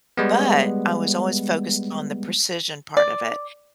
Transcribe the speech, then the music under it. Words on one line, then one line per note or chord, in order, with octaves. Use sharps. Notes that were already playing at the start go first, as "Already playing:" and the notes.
But, I was always focused on the precision part of it,
G3 G#3 B3
D5